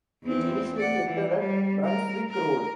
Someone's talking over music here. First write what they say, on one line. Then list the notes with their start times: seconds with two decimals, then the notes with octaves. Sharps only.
It initially ended at Brunswick Road.
0.24 E2 C4
0.77 D5 F#5
1.06 E3
1.39 G3
1.84 A#4
2.29 A#4